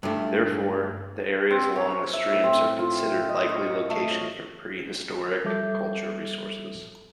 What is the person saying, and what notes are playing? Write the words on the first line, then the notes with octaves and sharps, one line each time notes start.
Therefore, the areas along streams are considered likely locations for prehistoric cultural resources.
G2 A3
C4
C#5
C5
E5
A2
C4
F4
D#5
C#6
A3
C#5
F3 G3 A4 E5 D6 G6